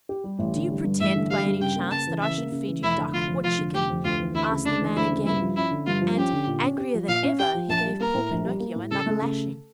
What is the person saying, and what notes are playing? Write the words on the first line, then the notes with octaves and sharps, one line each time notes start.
"Do you pretend, by any chance, that I should feed you duck or chicken?" asked the man again, and, angrier than ever, he gave poor Pinocchio another lashing.
G4
G3
A1
D3
G3
G2
A1 E5
D3
G3 F5
G2
C#3 G5
A#3
C#3 A5
E3
C#3 E5
A#3
C#3
E3
F1 E4
D3
F1 F4
F2
F1 F4
D3
F1 G4
F2
D2 F4
E3
D2 E4
C#3
D2 D4
E3
D2 E4
C#3
G2 E4
F3
C#4 E4
D3
G2 F4
F3
C#4 G4
D3
A#2
C#4
G4
F3
A#2 F5
C#4
G4 G5
F3
A#1 A5
G3
A#3 A#4
A2
A#1
G3
A#3
A2
C#3 A4
A3
C#3